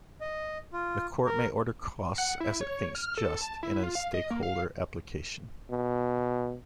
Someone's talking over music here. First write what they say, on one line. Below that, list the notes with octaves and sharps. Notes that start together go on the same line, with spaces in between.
The court may order costs as it thinks just in a stakeholder application.
D#5
F4
A#4
F#5
E4
C#5
F6
A4
A5
E4
F4
F5
D#5
A#3
F5
B2